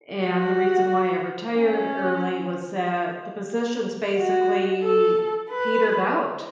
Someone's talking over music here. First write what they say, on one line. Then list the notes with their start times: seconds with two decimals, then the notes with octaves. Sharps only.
and the reason why I retired early was that the positions basically petered out.
0.27 F#4
1.57 C#4
4.18 F#4
4.83 A4
5.49 B4